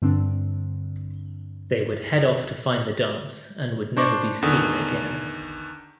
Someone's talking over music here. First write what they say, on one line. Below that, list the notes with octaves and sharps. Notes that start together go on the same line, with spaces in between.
They would head off to find the dance and would never be seen again.
G2 D3 C4 D4
D4 C5 C#6 D6
E2 D3 D#3 D#6